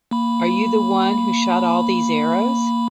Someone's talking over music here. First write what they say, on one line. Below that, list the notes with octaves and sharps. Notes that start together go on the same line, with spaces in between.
Are you the one who shot all these arrows?
A#3 B5